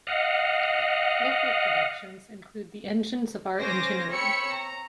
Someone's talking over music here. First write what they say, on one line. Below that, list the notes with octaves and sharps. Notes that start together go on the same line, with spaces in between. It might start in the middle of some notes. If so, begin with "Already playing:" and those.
Local productions include "The Engines of Our Ingenuity".
D#5 F5 F#5
C#4 C5 D6 A#6
C4 C#5 B5 E6 C#7
A#5